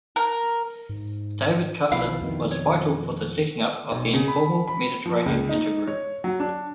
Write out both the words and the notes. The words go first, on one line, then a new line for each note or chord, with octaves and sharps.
David Casa was vital for the setting up of the informal Mediterranean intergroup.
A#4
G#2
B1 B2 F3 E4 F5
F2 B2 D#3
C#5
B1
C#3
B5
B5
F3
C#2
D#4
C#5
F#3
D4